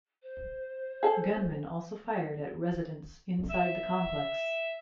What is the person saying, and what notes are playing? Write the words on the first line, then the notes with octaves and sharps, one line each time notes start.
Gunmen also fired at residents inside the complex.
C5
G#4 A4
E5